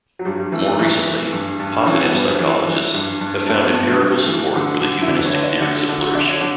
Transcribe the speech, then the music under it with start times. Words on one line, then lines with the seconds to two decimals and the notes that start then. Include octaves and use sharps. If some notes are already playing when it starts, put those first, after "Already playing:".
More recently, "positive" psychologists have found empirical support for the humanistic theories of flourishing.
0.19 F#3
0.25 G2 G3
0.40 G3
0.52 E3 A3
0.66 A3
0.79 E3 A3
1.06 E3
1.33 G2
1.60 G2
1.86 E3 C#4
2.00 B3
2.13 G2 G3
2.26 G3
2.40 E3
2.67 E3
2.94 G2
3.21 G2
3.46 G2 A3
3.61 B3
3.74 G2 B3
3.87 A3
4.01 G2 A3
4.09 G3
4.17 A3
4.27 E3
4.54 D3
4.81 D3
5.02 E4
5.08 D2 D4
5.19 B4
5.26 C#5
5.34 D3
5.43 D5
5.61 D3 F#5
5.75 A4
5.88 D3 A4
6.02 F#4
6.15 D3 D5
6.28 C#5
6.41 D3